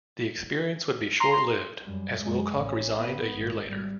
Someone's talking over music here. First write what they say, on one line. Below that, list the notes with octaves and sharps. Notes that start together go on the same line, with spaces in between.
The experience would be short-lived, as Wilcock resigned a year later.
A#5 C6
F#2 G3
F#2 G#3
A1 C#4
B3
G#1
G3